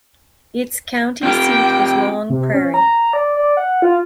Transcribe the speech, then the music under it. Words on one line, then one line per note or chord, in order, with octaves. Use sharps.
Its county seat is Long Prairie.
C4 F4 G4 G5
C3
C#4
A#5
D5
D5
F#5
F4